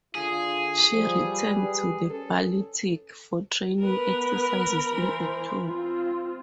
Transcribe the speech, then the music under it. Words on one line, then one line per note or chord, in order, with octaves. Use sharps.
She returned to the Baltic for training exercises in October.
D3 F4 G#4
F3 G3
B4
C#4 A4
B3 A#4 B4 B5
E3 C5
C4 F4